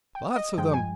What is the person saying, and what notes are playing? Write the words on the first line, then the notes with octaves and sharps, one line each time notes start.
Lots of them.
G5
D#5
G2 F3 G#3 G5
G#5